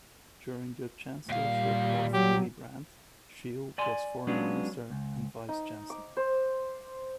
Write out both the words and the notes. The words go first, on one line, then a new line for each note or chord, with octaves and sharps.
During the Chancellorship of Willy Brandt, Scheel was Foreign Minister and Vice Chancellor.
D#2 A#2 G3 F5
F#3 G4
D5 G#5 C6
F#3 G#3 B3 C#4 D4 F4
C#2
D#4
D6
C5